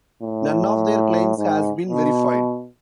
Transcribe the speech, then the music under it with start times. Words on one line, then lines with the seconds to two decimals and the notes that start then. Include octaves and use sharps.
None of their claims has been verified.
0.22 A2
1.38 G#2
1.89 B2